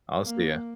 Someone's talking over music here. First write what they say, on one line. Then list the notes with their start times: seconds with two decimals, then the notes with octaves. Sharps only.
I'll see ya.
0.23 A#3